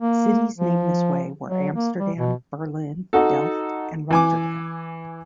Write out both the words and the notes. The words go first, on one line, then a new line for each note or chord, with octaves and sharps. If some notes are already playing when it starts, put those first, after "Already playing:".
Cities named this way were Amsterdam, Berlin, Delft, and Rotterdam.
A#3
F3
F#3
A#3
G3
B2
D#4 F#4 A4
E3 G#5 D6